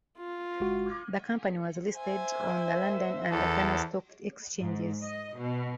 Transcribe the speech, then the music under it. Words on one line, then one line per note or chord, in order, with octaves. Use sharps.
The company was listed on the London and Ghana stock exchanges.
F4
G1 G#3 F#4
C5 E5 G#5
E2 A4
G#2
D#5
B2